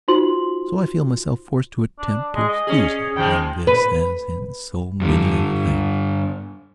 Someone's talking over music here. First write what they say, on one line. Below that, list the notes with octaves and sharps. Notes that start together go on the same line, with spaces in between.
So I feel myself forced to attempt to excuse him in this as in so many other things.
D#4 F4 F#4 C5 C6 F#7
D4
G#3
D#5
C#4 G#4
D#3 F3 G#3 G5
B4
G2 D3